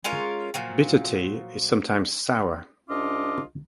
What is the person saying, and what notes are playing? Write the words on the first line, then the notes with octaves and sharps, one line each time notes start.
Bitter tea is sometimes sour.
G#3 C#4 F4 A#4
A#2 F3 F#3
C2 C#4 D4 F4 D#5 D6